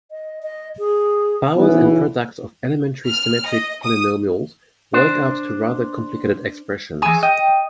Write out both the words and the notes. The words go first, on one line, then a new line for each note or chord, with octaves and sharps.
Powers and products of elementary symmetric polynomials work out to rather complicated expressions.
D#5
D#5
G#4
B1 C#3 E3 B3
F6
D#5
D#6
D4 C5
E3 G#4 G#5 C#6 E6
D#5 G5